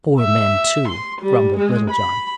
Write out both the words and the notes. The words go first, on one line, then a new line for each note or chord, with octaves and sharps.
"Poor men, too," grumbled Little John.
E5
C6
G3
G#3
B5